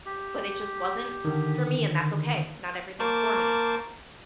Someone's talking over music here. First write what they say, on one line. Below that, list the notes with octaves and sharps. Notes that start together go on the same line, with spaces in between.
But it just wasn't for me, and that's okay. Not everything's for me.
G4
D3 D#3
A#3 A#4 C5 A5 C#6 D6